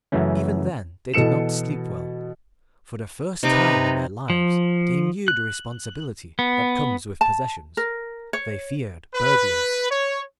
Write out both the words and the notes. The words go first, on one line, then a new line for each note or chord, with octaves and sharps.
Even then they did not sleep well: for the first time in their lives they knew the responsibility that comes with possessions; they feared--burglars.
F#2 C#3 E3 A3 C#4
B2 E3 A4 C#7 E7
C3 D#4 B4 D6
F3
F#6
B3
A5
A#4
C#5
B4
C#5